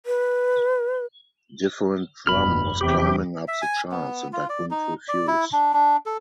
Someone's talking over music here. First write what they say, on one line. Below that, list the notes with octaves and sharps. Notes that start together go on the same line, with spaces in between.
'Different Drum' was climbing up the charts, and I couldn't refuse.
B4
F1 G2 B2 B5 F6
E2 C3 G4
E5
G#5
B3
F4
D5
D#4
D5
E4
D4
D4
A4